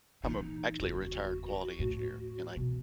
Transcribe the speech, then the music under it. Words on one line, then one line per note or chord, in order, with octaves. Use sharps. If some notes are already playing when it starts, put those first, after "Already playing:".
I'm, um, actually a retired quality engineer, and I
A#2 E3 D#4
F#1 E2 F#4
D#2 A2
B2 E3